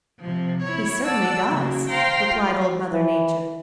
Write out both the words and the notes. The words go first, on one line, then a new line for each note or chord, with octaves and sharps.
"He certainly does," replied Old Mother Nature.
C3 F3
E4 C#5
D5 F#5 A5 E6
C#3 A#3 F#4
C5 F5 G5 A#5 C6
F4
E3